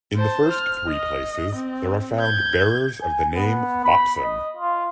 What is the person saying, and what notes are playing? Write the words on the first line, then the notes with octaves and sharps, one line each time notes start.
In the first three places, there are found bearers of the name Botzon.
C5 A5
F6
D#5
C4
G6 G#6
G#5
B3
B5
D#5
F4